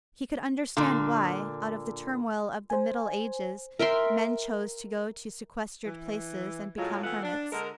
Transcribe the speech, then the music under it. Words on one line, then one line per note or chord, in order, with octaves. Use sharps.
He could understand why, out of the turmoil of the Middle Ages, men chose to go to sequestered places and become hermits.
A#2 D3
C5 G#5
A#4 E5 G5 C6
E3
A2 F#3 G#3 F4
E3 A3 B3 F4 F#5
D4
D3 G#3 A4 A#4